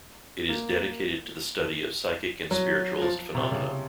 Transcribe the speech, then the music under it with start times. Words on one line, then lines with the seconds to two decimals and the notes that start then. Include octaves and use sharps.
It is dedicated to the study of psychic and spiritualist phenomena.
0.49 A#3
2.51 F#3
3.02 F3
3.35 C3
3.52 C#3